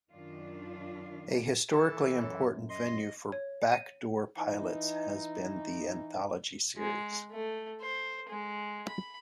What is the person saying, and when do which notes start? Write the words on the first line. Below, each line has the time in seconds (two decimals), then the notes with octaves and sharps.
A historically important venue for backdoor pilots has been the anthology series.
0.12 F#2 D#3 D4 F4
1.70 E3 A4
2.21 F#2
2.69 D#5 C6
3.32 C#5
3.72 D#7
4.38 E3 D#4
6.77 G#3
7.31 A3
7.82 C5
8.29 G#3
8.88 B5